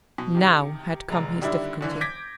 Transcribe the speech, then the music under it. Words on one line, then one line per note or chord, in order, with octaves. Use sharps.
Now had come his difficulty.
B2
C3 D#3
F1 G#3 A#5
D3 D#3 G3 D4 E4
F#1 D3 E3
D6 G6 G#6 A#6 B6 D7